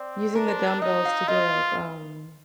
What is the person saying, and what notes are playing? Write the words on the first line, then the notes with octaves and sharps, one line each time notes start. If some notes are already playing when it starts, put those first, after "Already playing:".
using the dumbbells to do, like, um,
Already playing: C4 D5
D4 A#4
C5
A#4
D#4 D#5
F5
F4 D#5